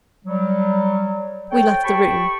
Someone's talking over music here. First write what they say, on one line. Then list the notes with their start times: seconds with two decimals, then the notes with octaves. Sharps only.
We left the room.
0.25 F#3 G3
1.51 A4 C5 C#5 G5
1.84 G4 G5 A5 B5 C#6